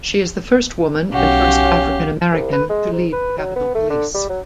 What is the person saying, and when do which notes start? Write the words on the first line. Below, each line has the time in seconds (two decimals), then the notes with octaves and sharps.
She is the first woman and first African American to lead the Capitol Police.
1.12 B1 C#4 F#4 G4 F5
2.33 C2
2.52 B4
2.69 G#3
2.92 G#2
3.13 B4
3.38 F#3
3.56 B3
3.74 A3
3.90 D3
4.14 G3
4.30 F#3